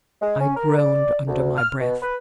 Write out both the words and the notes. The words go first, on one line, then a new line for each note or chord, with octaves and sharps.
I groaned under my breath.
G#3
C#4
A#4
D5
D2
F6
B2
B4